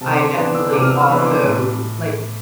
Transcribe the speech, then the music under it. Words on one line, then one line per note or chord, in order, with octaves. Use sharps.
I definitely also, like
C3 A5
D6
C6
E3 B3 D4 A5
E6
C3 D6
F6
E6
F6
E3 B3 D4 E6
C6
D6
A2